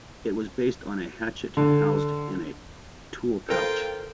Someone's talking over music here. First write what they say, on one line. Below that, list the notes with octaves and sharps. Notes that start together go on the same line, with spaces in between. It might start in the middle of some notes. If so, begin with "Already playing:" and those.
It was based on a hatchet housed in a tool pouch.
D3
F4 A4 A#4 C5 G5